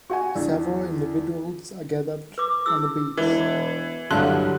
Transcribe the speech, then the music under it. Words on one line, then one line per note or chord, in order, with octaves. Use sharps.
Several individuals are gathered on the beach.
F#4 F#5 G#5
E2 D4
B4 D6
E4 G#4 E6
E1 E3
C2 G2 D3 F#3 D#5 A5 C6 F#6